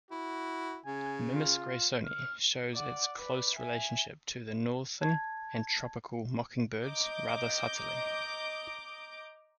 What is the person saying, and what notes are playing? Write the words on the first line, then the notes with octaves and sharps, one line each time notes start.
"Mimus graysoni" shows its close relationship to the northern and tropical mockingbirds rather subtly.
E4 F#4
C#3 G#5
F4
F6
D5 F#5
B4 D5
E5 G#5
A5 G#6
D#5 A#5 D6 G6